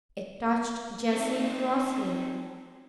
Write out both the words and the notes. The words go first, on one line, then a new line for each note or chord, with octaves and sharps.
It touched Jessie grossly.
C4 D#4